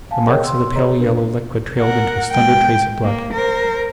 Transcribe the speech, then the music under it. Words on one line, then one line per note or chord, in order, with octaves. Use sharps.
The marks of the pale yellow liquid trailed into a slender trace of blood.
F5 G#5 A5
G#4 A#4 C#5 D#5 G5
C6 E6
G#4 C#5 D#5 A#5
D4 A#4 B4
A#4 F#5
G#3 G5
A#3
A#4 C5